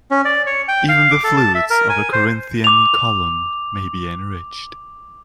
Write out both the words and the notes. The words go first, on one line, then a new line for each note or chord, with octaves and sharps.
Even the flutes of a Corinthian column may be enriched.
C#4
D5
C#5
G5
F5
D6
A4
A5
E5
A#4
G#5
C5
D6 F7